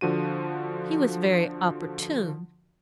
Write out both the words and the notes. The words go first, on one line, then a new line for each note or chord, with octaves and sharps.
He was very opportune.
D3 F3 F#4 D#7